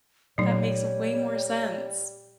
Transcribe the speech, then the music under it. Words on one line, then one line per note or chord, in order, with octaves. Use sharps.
that makes way more sense.
A#2 F#3 G3 A3 D#4 C#5